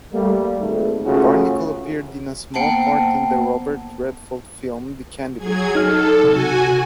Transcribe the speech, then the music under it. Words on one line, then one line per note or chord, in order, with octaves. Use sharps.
Barnicle appeared in a small part in the Robert Redford film "The Candidate".
G3 A3 A#3
G#1 G#2 A3
C#2 C#3 A3 F4 F#4 G#4
A#3 B3 C5 F#5 G5 A5
F#3 G#4 G#6
D#4 A4 F6
C3 F#4 G#5